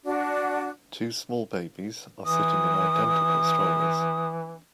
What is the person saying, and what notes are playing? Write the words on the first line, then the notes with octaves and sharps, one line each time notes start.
Two small babies are sitting in identical strollers.
D4 F#4
E3 D#6